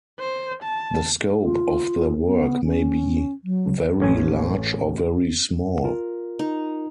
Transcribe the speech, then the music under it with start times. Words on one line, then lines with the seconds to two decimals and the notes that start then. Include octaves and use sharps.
The scope of their work may be very large or very small.
0.20 C5
0.63 A5
1.42 F4
2.23 B3
2.64 C#4
3.44 F#3
4.00 A1 C#4 G#5
5.84 F4 A#4
6.39 D#4